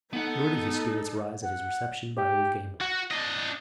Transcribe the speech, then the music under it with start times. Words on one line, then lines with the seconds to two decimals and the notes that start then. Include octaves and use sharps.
Nor did his spirits rise at his reception by old Gamewell.
0.13 B3 D#4 A4 F#5
1.44 F#5
2.18 G4
2.81 F#4
3.11 D4 D#5